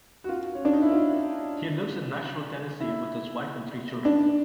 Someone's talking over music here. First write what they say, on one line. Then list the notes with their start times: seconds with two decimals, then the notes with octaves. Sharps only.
He lives in Nashville, Tennessee with his wife and three children.
0.24 F#4
0.29 F4
0.55 C#4
0.65 D4
0.73 D#4
0.82 E4
0.91 F4
2.80 E4
4.05 D4